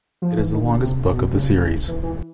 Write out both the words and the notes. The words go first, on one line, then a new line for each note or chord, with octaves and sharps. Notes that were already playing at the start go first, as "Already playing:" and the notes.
It is the longest book of the series.
F3
E3
D#3
D3
C3
B2
C#3
C3
C#3
E3
E3